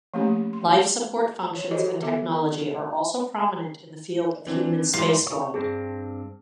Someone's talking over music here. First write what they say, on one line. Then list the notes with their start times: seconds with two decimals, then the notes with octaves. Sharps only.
Life support functions and technology are also prominent in the field of human spaceflight.
0.14 F3 A3 A#3 C#4 G4
0.53 C6
1.55 F3 C#5
1.71 F#4 G4 A4 C5 C#5 D#5
2.02 D3 B3 A4 E5 D6
4.47 E3 C4 D4
4.93 G#2 E3 G3 F4
5.27 C#5
5.54 G2 C4 D4 G#4